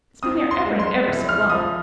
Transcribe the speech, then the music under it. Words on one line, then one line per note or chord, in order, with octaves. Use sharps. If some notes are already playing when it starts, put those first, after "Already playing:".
It's been there ever and ever so long!
C4 D#6
C6
G#3
C6
C2
F6
F3 D#6